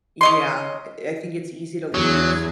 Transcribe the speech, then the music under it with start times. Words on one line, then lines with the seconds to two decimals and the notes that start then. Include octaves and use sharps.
Yeah, eh I think it's easy to leave
0.21 C#4 D#5 C6
1.94 E2 F#3 G#4